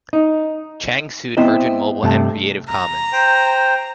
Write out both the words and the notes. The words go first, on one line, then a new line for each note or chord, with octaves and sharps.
Chang sued Virgin Mobile and Creative Commons.
D#4
B3 C4 E4 C5 D#5
G2 C3 A3 A5
A#5
C5 G5